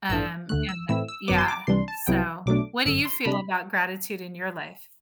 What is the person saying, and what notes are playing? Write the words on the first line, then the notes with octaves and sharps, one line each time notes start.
um, and yeah, so What do you feel about gratitude in your life?
A1 G2 E3 A3 D4 E6
D2 D3 A3 F#6
E6
A2 E3 A3 C4 E4 E6
E6
G1 F#2 F#3 B3 D6
C6
D6
C2 C3 E3 G3 D4 C6
A5
C2 C3 F#3 B3 E4 G5
B1 B2 F#3 A3 D4 D6
G1 F#2 D3 E6
C6
C3 G3 D4 B5